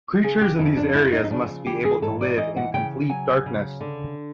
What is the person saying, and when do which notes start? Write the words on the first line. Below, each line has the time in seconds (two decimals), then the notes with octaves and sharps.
Creatures in these areas must be able to live in complete darkness.
0.24 C#3 G#4
0.41 G4
0.59 F2 E4
0.77 D4
0.95 F3 E4
1.13 D#4
1.24 D#4
1.30 C#3 D4
1.66 E3 G4
1.85 G#4
2.02 G#2 A4
2.21 D5
2.38 E3 D#5
2.57 F#5
2.74 C#3 G5
3.09 F#3 G#5
3.46 C#3
3.81 D3